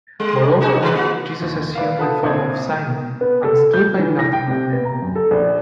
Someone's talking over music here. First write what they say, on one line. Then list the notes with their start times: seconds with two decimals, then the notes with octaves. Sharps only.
Moreover, Jesus assumed the form of Simon, and stood by laughing at them.
0.20 G3
0.61 D#4 F#4 G#4
0.81 G#2 D#3 B4
0.95 A#3 F#4
1.42 D#2
1.75 B4 D5 E5 F5
1.98 F4 A4 B4 F#5 A5 D#6
2.24 C2 A#2 C4 D#6 G#6
3.21 B3
3.44 A4
3.73 G6
3.99 E3
4.19 A#6
4.33 G5
4.48 C3
4.73 B3
4.85 A#5
5.02 F#2
5.16 A4
5.31 A#1